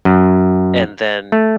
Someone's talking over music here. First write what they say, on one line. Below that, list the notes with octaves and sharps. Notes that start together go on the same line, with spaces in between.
And then
F#2
A3